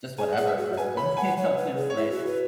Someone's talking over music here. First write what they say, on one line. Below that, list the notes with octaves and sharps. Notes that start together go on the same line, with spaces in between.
just whatever, frankly, honestly.
G#4 G#5
G#4 F#5
E5
F#4
C#5
B4 G#5
C#5 B5
F#5 G#5
C#5
B4
G#4
C#5
E4 E5
F#4
B4